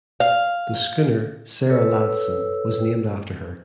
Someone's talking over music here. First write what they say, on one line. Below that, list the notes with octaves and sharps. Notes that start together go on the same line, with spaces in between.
The schooner "Sarah Ladson" was named after her.
F5
A4 B4 C#5 E6